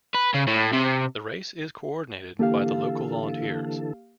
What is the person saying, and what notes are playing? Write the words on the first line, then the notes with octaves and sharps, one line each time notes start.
The race is coordinated by the local volunteers.
B4
C#3
A2
C3
D3 E3 A#3 G4 A4 F5